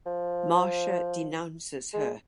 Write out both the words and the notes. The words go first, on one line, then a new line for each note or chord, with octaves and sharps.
Marcia denounces her.
F3
G#3